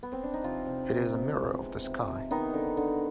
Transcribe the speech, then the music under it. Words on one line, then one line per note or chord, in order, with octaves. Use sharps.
It is a mirror of the sky.
B3
C4
D4
D#4
C3 F3 F4
C3
C3
B3
G#3
C3
C3
C3
D#3 B3 D#4
D3
D3